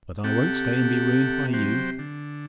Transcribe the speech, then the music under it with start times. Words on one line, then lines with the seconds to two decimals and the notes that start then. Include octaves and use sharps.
But I won't stay and be ruined by you.
0.24 C3 G4 A4 F#5
1.53 F#3 G4 C5
1.99 D3